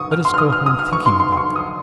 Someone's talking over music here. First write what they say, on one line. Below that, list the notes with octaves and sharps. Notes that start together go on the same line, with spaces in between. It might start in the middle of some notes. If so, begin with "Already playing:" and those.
Let us go home thinking about that.
Already playing: C#6 D#6
F6
C6
F6
D#6
F6
D#6
F6
C#6
C6
C6
C6
C#6
D#6